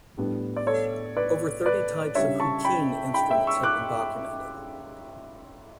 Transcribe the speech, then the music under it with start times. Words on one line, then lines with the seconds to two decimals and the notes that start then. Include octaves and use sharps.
Over thirty types of "huqin" instruments have been documented.
0.17 A2 G3 B3 D4
0.56 D5
0.67 A4 C#5
1.17 B4 D5
1.66 B4 D5
2.15 C#3 G3 D4 C#5 E5
2.40 A5 C#6
2.65 G5 B5
3.14 G5 B5
3.31 E5 G5
3.47 C#6 E6
3.63 D6 F#6